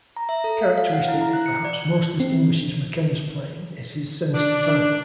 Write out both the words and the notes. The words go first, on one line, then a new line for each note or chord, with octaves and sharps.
The characteristic that perhaps most distinguishes McKenna's playing is his sense of time.
A#5
E5
A4
F5
F5
F#5
E4
A#5
F#6
C#7
D5
C4
D4